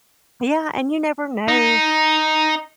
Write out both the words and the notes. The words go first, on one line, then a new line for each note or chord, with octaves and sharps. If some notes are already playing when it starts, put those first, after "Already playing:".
Yeah, and you never know
D#4